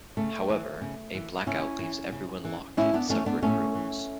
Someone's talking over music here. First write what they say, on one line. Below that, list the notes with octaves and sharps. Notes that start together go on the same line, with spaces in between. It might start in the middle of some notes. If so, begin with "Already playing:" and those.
However, a blackout leaves everyone locked in separate rooms.
C#3 A3
E3
C#3
E3
C#3 C#4 E4
E3
C#3
E3
A2 C#4 E4
B3 D4
E3 A3 C#4
B3 D4
A2 A3 C#4
E3